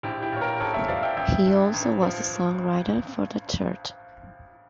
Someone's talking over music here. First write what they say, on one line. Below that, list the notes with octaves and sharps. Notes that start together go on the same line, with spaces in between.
He also was a songwriter for the church.
A#1 E4 G4
E4 G4
A#2 C#5
G4 A#4
A#1 A4 C#5
C#5 E5
F3 D5 F5
E5 G5
A1 E5 G5
G2
A1
F3